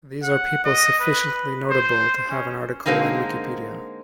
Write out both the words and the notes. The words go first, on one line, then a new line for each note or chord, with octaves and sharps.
These are people sufficiently notable to have an article in Wikipedia.
F#5
D#5
B4
C5
C#4
D3 G#3 A#3 C4 D#4